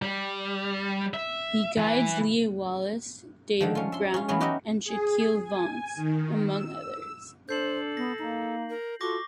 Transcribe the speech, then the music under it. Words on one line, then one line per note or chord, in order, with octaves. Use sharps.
He guides Lea Wallace, David Brown and Shaquille Vance, among others.
G3
E5
E3
D3 D#3 F3
C#4 F4
E5 C6
C#4 F4
E3 F#3 B3 C#4 G#4
D#4 F#4 G4 C#5 D#5 E5
G#4
G#5
D#3
E6
D4 A4 C5 G6 C7 F#7
B3 A#6
A#3 D#4
A#4
F4 F#4 A4 C#6 D6 A#6